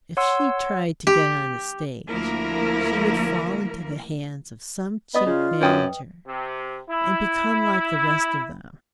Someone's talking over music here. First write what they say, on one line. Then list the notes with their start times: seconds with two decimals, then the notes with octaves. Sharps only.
If she tried to get on the stage she would fall into the hands of some cheap manager and become like the rest of them.
0.17 C#5 F#5 C6 E6
1.07 G4
2.09 D2 F3 A#3 E4 A#4
5.15 B3 D5 D#5 D#6
5.26 C#3 F4
5.62 F#2 B4 G5 D#6
6.27 C3
6.91 E4